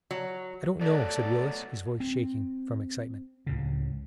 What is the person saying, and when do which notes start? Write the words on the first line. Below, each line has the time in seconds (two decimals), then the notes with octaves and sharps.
"I don't know," said Willis, his voice shaking from excitement.
0.11 F#3
0.81 B2 F#3 A3 A4 D5
2.00 C4
3.47 C#2 A2 C#3